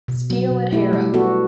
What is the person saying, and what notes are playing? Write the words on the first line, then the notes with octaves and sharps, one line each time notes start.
Steel at Harrow.
B2
F#3 B3
B2
A3 E4 G4
G3
B3 F#4 A4